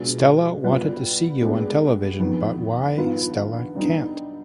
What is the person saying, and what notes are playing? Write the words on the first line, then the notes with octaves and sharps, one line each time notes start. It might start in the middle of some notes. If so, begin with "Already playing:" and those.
Stella wanted to see you on television, but why Stella can’t?
Already playing: B2 G#3 D4 F4
G3 B3 F4 B4
D3 G#3 B3 D4 G4
F2 D#3 B3
G2 D#3 B3 F4
D3 G3 B3 D#4